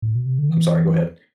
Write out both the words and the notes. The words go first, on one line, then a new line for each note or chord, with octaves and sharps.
I'm sorry, go ahead.
A2
B2
C3
D3
E3